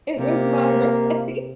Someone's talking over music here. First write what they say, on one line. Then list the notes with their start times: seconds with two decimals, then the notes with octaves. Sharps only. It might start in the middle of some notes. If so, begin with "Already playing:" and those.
It was my birthday.
0.18 C3 A#3